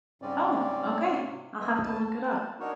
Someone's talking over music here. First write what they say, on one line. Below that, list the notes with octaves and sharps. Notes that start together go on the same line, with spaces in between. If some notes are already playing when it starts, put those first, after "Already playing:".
Oh, okay, I'll have to look it up.
G#2 C#3 G3 C4 C#4 D5
C3
D#2 B3 D#5 E5
D#2 B4 A5
A5
D4 D#4 F#4 A#4 C#5